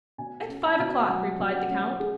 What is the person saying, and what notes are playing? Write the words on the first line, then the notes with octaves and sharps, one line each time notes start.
"At five o'clock," replied the count.
B2 G#5
C#4
A5
B2
F#5
F#3 G#5
B2
F#5
C#4
G#4